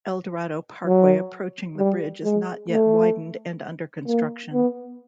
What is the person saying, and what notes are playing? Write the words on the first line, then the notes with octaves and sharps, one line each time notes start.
Eldorado Parkway approaching the bridge is not yet widened and under construction.
F#3
G3
G#3
A3
A#3
B3